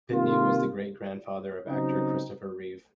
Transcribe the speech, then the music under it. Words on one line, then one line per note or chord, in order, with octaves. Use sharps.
Pitney was the great-grandfather of actor Christopher Reeve.
C3 D#3 A#3 F4
C#3 F#3 C4 D#4